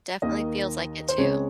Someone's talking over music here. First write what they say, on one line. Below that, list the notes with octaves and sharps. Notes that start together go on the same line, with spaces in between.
Definitely feels like it too.
D#2 D#3 A#3 D#4 D#5
C5
C#2 C#3 G#3 C4 C#5